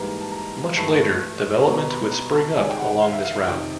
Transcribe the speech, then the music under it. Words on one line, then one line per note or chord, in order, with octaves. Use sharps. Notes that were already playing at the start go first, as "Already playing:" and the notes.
Much later, development would spring up along this route.
Already playing: G#2 E3 G3 A#3 A#5
A5
A#5
G2 E3 A3 A5
A5
B2 G3 B3 A#5
A#5
B5
A#5
A5
C3 D#3 G#3 G#5
G5
F#5
F5
E5
F5
F2 C3 D#3 G5